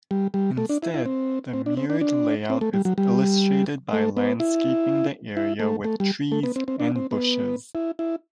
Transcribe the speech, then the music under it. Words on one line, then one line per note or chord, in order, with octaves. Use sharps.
Instead, the mirrored layout is illustrated by landscaping the area with trees and bushes.
G3
G3
A3
D4
E4
E4
C4
C4
D4
C4
D4
D4
C4
A3
G3
F#3
G3
A3
B3
E4
E4
A3
A3
G3
A3
B3
C4
C4
D4
C4
B3
E4
E4